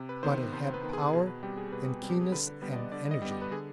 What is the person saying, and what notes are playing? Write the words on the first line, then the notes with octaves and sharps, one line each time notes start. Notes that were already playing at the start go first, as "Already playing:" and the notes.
But it had power and keenness and energy.
Already playing: C3
B4
D#3 B3 C5
C3 C5
C5
B4
D#3 B3
G#4
B2 G#4
B4
G3 C4 G4
G#4
B2 B4
G3 C4
G4
G#4
D3 B4
B4
G3 B3 B4
D#5
D5
D3 D5
D#5
G3 B3
G4
B4
D3 G#4